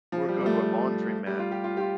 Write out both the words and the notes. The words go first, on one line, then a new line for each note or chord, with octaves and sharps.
Or go to a laundromat,
F3
G3
G3
A3
G3
F4
G4
F4
G4
F4